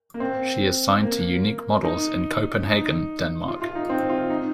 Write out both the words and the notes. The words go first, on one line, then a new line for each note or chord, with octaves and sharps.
She is signed to Unique Models in Copenhagen, Denmark.
A#3
C4
A#3
D#4
D#4
F4
F4
D#4
C4
F4
D#4